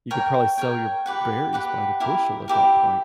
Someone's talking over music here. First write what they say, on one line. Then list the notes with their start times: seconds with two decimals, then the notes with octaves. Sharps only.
you could probably sell your berries by the bushel at that point.
0.11 A#4 C#5 G5
0.58 A#4 C#5 G5
1.06 G4 B4 F#5
1.53 G4 B4 F#5
2.00 E4 G4 A#4
2.48 E4 G4 A#4